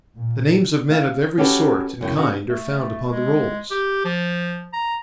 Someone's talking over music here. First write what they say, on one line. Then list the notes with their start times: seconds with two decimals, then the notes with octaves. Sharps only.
The names of men of every sort and kind are found upon the rolls.
0.17 A#2
0.90 E5 F5
1.38 C#4 F#4 G4 A4 B4
2.01 F#2 C#3 E4 G5
2.17 C#3 F#4 B4
2.48 A3
3.10 G#3
3.71 G4
4.05 F3
4.73 A#5